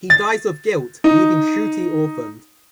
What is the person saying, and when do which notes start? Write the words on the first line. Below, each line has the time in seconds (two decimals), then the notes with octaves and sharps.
He dies of guilt leaving Shruti orphaned.
0.10 A6
1.04 D#4